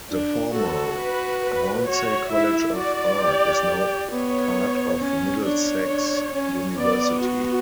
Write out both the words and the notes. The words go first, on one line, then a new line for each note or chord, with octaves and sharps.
The former Hornsey College of Art is now part of Middlesex University.
D4
F#4 A4
B4
B4
F#4 C#5
E4 E5
F#4 D5
G4
B3 C#5
C#4
D4 C#5
D4
C#4
B3 D5
F#4